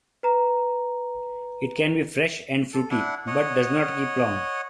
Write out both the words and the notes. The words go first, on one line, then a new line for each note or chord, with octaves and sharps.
It can be fresh and fruity, but does not keep long.
B4 A#5
A4
D4 E4 F#5
C#5 D#5 F#5